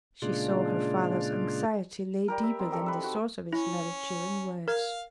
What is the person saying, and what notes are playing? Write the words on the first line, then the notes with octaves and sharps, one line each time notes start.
She saw her father's anxiety lay deeper than the source of his latter cheering words.
A#2 C#3 G#3 D4 F4
G3 G4 A#4
E5
C4 D#4
D#3 G4 A4
B4 E5
F#4
C#4 E4
A#4 F5 G#6